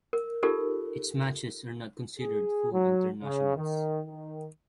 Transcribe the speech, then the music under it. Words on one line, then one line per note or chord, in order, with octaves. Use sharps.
Its matches are not considered full internationals.
A#4
D#4 F4 G4 A4 A#4
G#4
F#3
C#3
D#3
D#3